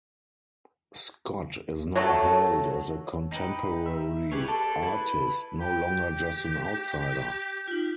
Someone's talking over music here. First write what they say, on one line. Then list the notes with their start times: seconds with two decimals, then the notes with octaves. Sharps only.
Scott is now hailed as a contemporary artist, no longer just an outsider.
1.95 F#3 A3 A4
3.31 D#4 G4 B4
3.86 E5
4.31 G4 G#4 B4 C#5
4.48 A4 D5
4.83 E4 B4
5.61 G4 G5
7.68 D#4 F4